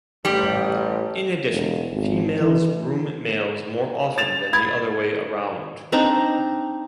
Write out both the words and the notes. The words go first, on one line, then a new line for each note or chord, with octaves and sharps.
In addition, females groom males more often than the other way around.
A1 G3 G4
E1
G#1
E3
A6 E7 F7
B5 G#6 A6
C4 D4 D#4 A#5